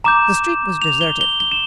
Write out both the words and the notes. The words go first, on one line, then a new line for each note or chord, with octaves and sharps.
The street was deserted.
A#5 D6 G6 E7
F7
G7
G7
G7
E7